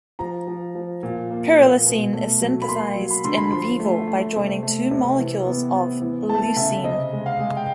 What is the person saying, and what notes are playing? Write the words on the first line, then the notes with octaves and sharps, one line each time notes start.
Pyrrolysine is synthesized "in vivo" by joining two molecules of -lysine.
F3 A#5
F3
F3
A#2
A#3
A#2
B2
A3
F#3
B5
A#3 C6
F#3
B5
D3 C6
B5
F3 C6
A3
A3
C3
A3
C3
E3
B3
B3
E3
A3 A5
C#3 E5
C3 D#5
G#3
F5
G#3
G5